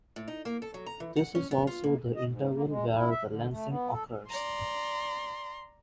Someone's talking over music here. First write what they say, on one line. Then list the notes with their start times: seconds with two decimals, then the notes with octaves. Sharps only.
This is also the interval where the lensing occurs.
0.16 A2
0.28 D#4
0.45 A#3
0.62 A4
0.74 F#3
0.86 A#5
1.00 E3
1.16 F#5
1.35 C#4
1.51 B3
1.67 F4
1.84 A#3
2.16 D#5
2.28 G#2
2.54 A#3
2.68 G#3
2.93 E4
3.10 E5
3.28 D3
3.51 A3
3.69 B3
3.91 A4
4.30 D5 A#5 C6